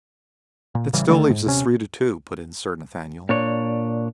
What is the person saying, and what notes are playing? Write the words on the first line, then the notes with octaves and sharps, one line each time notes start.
"That still leaves us three to two!" put in Sir Nathaniel.
A#2
A1 C#3 E3 G3
D2 D3 G3 A3
G#2
D#1 C3 C#4
A#2 D4 C#5